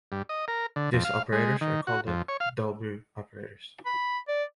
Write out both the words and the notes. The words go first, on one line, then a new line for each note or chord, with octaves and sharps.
These operators are called the Dolbeault operators.
G2
D#5
A#4
D3
F2
F5
G#3
D#3
F#4
F2
C#5
F5
B5
D5